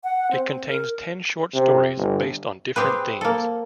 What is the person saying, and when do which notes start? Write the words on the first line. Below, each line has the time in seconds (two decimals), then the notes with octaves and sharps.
It contains ten short stories based on different themes.
0.04 F#5
0.31 C4
0.66 A#4
1.54 C3
1.97 G1
2.76 C4 G4 G#4 B4
3.21 A#3 A4